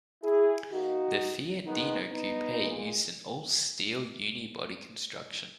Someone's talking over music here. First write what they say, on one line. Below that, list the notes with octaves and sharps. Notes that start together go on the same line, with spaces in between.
The Fiat Dino coupe used an all-steel unibody construction.
E4 G#4
D#3 A#3 D#4 F#4
D#3 G#3 B3 D#4
B3 D#4
A#2 G#3